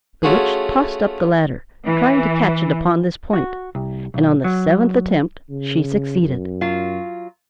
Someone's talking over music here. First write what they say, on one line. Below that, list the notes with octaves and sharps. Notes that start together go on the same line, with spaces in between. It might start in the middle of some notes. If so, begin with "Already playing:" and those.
The Witch tossed up the ladder, trying to catch it upon this point, and on the seventh attempt she succeeded.
A3 C#4 F4 F#4 G#4
E3
F#4
C2
B1
F#3
C#3
F#2
F#3 F4